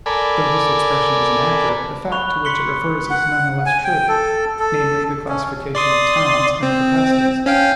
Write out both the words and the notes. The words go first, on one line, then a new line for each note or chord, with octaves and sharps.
Though this expression is inaccurate, the fact to which it refers is none the less true; namely, the classification of talents and capacities.
A4 A#4 D5 G#5 B5
B5 C#6 F#6 F7
C6 B6 C#7 G7
F#5
G#5
G5
A4
A4
C#4
D5 C6 D#6
C4
C#4 F5 G5